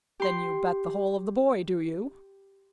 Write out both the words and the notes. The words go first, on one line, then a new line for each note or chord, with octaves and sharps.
"Then you bet the whole of the boy, do you?"
G4 C6